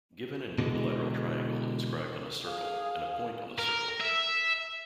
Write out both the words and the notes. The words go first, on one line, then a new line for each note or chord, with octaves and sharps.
Given An equilateral triangle inscribed on a circle and a point on the circle.
B2 D3 E3 G#3
G#4 F5
A#4
E5